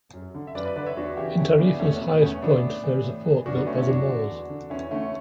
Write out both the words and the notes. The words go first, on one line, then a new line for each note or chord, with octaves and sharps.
In Tarifa’s highest point, there is a fort built by the moors.
F#2
D3
E5
F#2 B4 D5
B4 D5
D3 B4 D5
C#5 E5
E2 D4 F#4
C#3 E3 E4 G4
E2 C#4 E4
C#3 E3 B3 D4
E2 A3 C#4
A3
B2
B3
E2 A3 C#4
B2 B3 D4
A2
E3
A2
E3
F#2 D4 F#4
B3 D4
D3 A3 C#4
C#4 E4
F#2 D4 F#4
D3
E2
D3
E2 C#4 E4
D3 A3 C#4